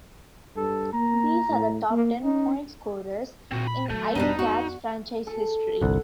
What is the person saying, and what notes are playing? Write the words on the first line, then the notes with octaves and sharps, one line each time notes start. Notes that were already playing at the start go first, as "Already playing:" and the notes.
These are the top ten point-scorers in IceCat's franchise history.
G2 A4
A#3 A#5
A2
A#3
C#4 D#4
A#2 C4 F#4
B5
D#3 F#3 A3
F2 B2 G3 D4 D#4
F#4
A4
G1 C2 F#5